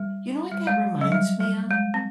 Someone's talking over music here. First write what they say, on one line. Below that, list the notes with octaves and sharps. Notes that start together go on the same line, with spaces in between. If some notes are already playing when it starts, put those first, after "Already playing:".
You know what that reminds me of?
Already playing: G3
G3
G#3
F#3
G3
G3
G#3
C4